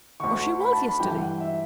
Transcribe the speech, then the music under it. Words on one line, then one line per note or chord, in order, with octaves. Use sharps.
Or she was, yesterday.
D2 D3 C#6
C#6
B5
A5
B5
G2 E3 G5
F#5
E5